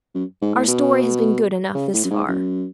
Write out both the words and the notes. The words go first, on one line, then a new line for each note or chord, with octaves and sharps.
Our story has been good enough, thus far.
F#2
G#2
A2
B2
C#3
A2
F#2
G#2
F#2